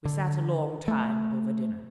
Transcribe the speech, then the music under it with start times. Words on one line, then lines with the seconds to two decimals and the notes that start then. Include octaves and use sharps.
We sat a long time over dinner.
0.05 D3
0.88 A3